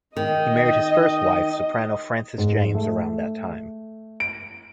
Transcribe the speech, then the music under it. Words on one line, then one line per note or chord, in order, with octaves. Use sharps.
He married his first wife, soprano Frances James, around that time.
D#3 D#5
G#2
A3
D7